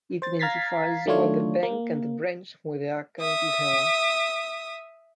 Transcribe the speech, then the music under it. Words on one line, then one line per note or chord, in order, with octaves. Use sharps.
It identifies both the bank and the branch where the account is held.
C5 A6
F5 A#5 G#6 A6 B6 C7
D#3 F#3 A3 D4 F4 C#5
A#3
E5 D#6